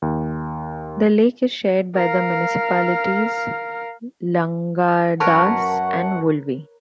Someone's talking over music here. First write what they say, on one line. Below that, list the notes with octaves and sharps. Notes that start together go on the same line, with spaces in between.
The lake is shared by the municipalities Langadas and Volvi.
D#2
A#4 F5
F#2 A#4 B4 C#5 F#5 A5 C#6